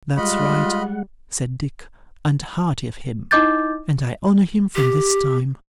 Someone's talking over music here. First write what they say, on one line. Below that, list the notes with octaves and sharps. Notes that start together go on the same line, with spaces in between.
'That's right!' said Dick; 'and hearty of him; and I honour him from this time.
G3 G#3 F4 D#5 F#5 B5
D#4 E4 D#5 D6 G6 A6
G4